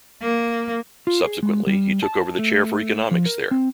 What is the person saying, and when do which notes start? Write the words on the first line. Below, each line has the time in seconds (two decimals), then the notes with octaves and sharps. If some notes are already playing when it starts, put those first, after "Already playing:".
Subsequently, he took over the chair for economics there.
0.22 A#3
1.07 F4
1.24 G#4
1.43 G#3
1.67 G3
2.03 A5
2.39 A3
3.11 F3
3.26 A#4
3.51 C4